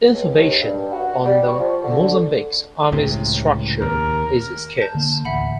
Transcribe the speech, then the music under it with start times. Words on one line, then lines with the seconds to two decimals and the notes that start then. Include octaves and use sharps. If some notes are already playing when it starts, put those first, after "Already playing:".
Information on the Mozambique Army's structure is scarce.
0.13 C#2
0.35 D#2
0.60 G2
0.92 F#4
1.25 G3
1.47 C#6
1.59 F3
1.83 D3
2.92 C#2 A2 C3
3.82 D#2 A#4
4.81 A5 G6
4.95 D3 A#3
5.25 D#1 A1 D2 E5 F#5 B5